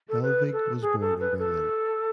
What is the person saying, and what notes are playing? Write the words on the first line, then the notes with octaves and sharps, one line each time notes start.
Hellwig was born in Berlin.
A4
B4
A4
G#4
A4
B4
A4